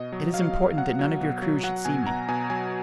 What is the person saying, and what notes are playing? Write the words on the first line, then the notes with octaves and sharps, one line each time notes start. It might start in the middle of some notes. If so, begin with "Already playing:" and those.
"It is important that none of your crew should see me."
Already playing: B2 D#5
F#3
F#3 F5
F#3
F#3 F#5
F#3
B2
F#3
F#3 F#5
B2 G#5
B2 A#5
B2 G#5
F#3 G#5